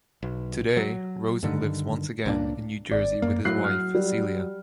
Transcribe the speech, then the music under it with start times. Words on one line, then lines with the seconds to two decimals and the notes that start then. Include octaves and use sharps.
Today, Rosen lives once again in New Jersey with his wife, Celia.
0.23 B1
0.77 F#3
1.43 G2 D3 D#3
2.26 C#2 A#2 A#3 D4
2.91 G#1 D5
3.22 F#2 A#3
3.45 A2 F#3 F#6 C7
3.64 F6
3.95 G3